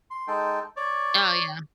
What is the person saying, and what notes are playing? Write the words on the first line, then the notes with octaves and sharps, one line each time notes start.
Oh, yeah.
C6
G#3 D#4 A4 G5
C#5 D5